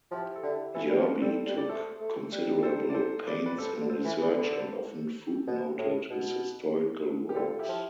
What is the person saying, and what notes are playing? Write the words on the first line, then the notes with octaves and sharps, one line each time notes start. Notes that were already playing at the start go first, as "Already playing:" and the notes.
Yerby took considerable pains in research and often footnoted his historical works.
F3 E4 G4
A4
D3 E4 G4
E3 F4 A4
G3
F3
G3 A4 C5
G3
D5
A3 A4 C5
A3
G3
A4 C5
D5
A4 C5
B4 D5
B4
F3 A4 C5
D3
A4 C5
E3
E3 D5
D3
B4 D5
A4 C5
B2
A2
B2
G4
D3 F4 A4
E4 G4
F3